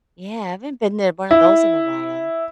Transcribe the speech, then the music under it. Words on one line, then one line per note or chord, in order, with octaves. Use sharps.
Yeah, I haven't been there in one of those in a while.
E4